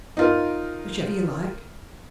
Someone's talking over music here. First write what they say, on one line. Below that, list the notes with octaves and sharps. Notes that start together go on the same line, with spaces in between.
"Whichever you like."
D#4 F4 A#4